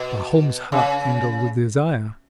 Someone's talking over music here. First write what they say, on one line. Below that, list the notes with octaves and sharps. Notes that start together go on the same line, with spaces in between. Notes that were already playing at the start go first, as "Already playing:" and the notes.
Pahom's heart kindled with desire.
Already playing: B2
C#3